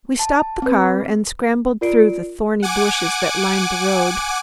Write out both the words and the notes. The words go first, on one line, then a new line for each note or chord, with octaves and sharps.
We stopped the car and scrambled through the thorny bushes that lined the road.
A5
C4 B4
F4 A#4 D5 C7 D7
F#5 G#5 D6